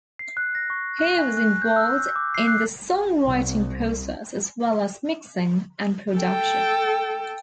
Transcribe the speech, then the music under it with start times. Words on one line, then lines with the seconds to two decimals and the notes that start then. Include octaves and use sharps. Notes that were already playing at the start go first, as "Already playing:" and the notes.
He was involved in the songwriting process as well as mixing and production.
0.19 C7
0.37 F#6
0.55 A#6
0.70 C#6
0.99 F#6
1.19 G#5
1.37 F#6
1.62 G6
1.76 E6
2.16 D6
2.34 C7
2.48 F#6
3.24 C2
6.18 A4 G5